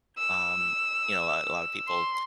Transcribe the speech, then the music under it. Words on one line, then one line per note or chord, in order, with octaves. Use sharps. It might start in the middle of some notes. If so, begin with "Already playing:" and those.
Um, you know, uh, a lot of people
E6
C6